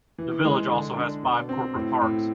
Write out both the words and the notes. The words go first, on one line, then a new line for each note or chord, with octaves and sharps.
The village also has five corporate parks.
E3
G#3
D3
D4
B2
C4
A2
A2